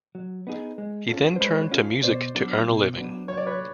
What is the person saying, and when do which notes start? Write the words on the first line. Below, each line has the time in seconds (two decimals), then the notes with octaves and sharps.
He then turned to music to earn a living.
0.15 F#3
0.47 B3 D#4 G#4
0.78 G#3
1.09 C#4 F4 A4
1.36 C5
1.40 G#3 B4 C#5
1.71 C#4 F4 A4
2.03 B2 C5 D5
2.35 F#3 B3 D4
2.66 B2
2.98 F#3 B3 D4
3.28 F#3 C#5
3.37 D5
3.46 B4 C#5